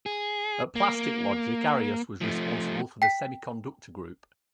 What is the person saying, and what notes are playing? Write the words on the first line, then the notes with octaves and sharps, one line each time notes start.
At Plastic Logic Arias was responsible for the semiconductor group.
G#4
A#3
F3 A3
G5 B6